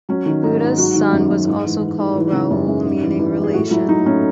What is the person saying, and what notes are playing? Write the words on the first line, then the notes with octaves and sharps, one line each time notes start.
Buddha's son was also called Rahul, meaning "relation".
F#3 C#4
D#3
G#2 D#4
G#2
F#3 F#4
D#3
F#2
F#2
G#2
E3
E3
G#2
E3
C#3
F#2
F#2
G#2
E3
E3
G#2
G#4
A2 F#4
F#3 E4
F#3 D#4
A2 C#4